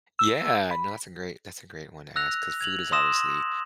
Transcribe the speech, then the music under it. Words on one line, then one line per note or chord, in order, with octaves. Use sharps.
Yeah, no, that's a great that's a great one to ask, 'cause food is obviously
E6
B5
E6 F#6 A#6 F7
G#6 F7 F#7
C6 D#6 E6 A#6 E7